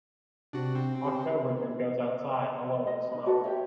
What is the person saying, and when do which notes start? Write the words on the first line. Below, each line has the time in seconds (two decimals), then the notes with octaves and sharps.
October then goes outside alone to smoke.
0.53 C3 D4 F#4
0.75 C4
1.05 G4
2.73 D5
2.85 G#4 D#5
3.12 D#4 D#5 B5
3.26 F#4 A4 B4 D#5
3.43 G4 C#5 E5